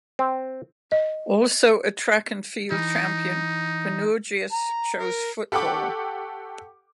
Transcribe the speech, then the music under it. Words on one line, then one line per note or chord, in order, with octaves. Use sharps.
Also a track and field champion, Panourgias chose football.
C4
D#5
E3 D#4
A#5
A#4
G4 A4 F#5 G5 C#6 D6